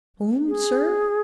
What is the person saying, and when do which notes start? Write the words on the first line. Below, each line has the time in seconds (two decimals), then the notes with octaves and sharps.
"Whom, sir?"
0.48 G#4